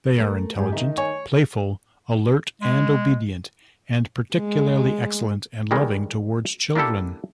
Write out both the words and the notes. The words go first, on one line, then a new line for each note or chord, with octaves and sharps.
They are intelligent, playful, alert, and obedient, and particularly excellent and loving toward children.
A3 A#4
G#2 G4 G#4
D#3 D#4 E5 A5
C#5 G#5
G#3
G#3
D#3 E3 G3 G#3
A#3 D4 E4 G4 A4